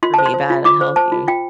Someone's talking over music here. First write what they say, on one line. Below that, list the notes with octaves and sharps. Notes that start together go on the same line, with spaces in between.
for me bad, unhealthy.
F4 C6
C5 A5
C6
C5
F4
F4 D6
C5
C5 A5
F4
F4 G5